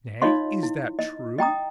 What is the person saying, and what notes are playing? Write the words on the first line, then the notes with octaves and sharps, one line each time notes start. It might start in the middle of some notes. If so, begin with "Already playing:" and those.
"Nay, is that true?"
D#4 F4 C#5 D#5 F5 C6
E4
D#5
D#5 G5 A#5 D#6